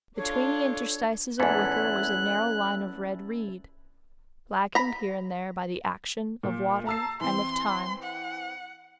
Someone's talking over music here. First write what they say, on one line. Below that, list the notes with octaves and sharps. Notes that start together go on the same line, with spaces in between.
Between the interstices of wicker was a narrow line of red reed, blackened here and there by the action of water and of time.
D4 F4 A4 C#5
E2 G#2 C#4 E4 A4 F#6
A#5 B5
A#2
A5 A#5 E6 C7
E3 C4 C6
F#5